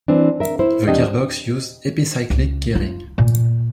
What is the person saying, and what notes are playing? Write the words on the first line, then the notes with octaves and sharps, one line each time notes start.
The gearbox used epicyclic gearing.
E3 C4 D4
A#4 E5
E4 C5
E2 C4 D4 G4 D#5
C#2
F4
A#2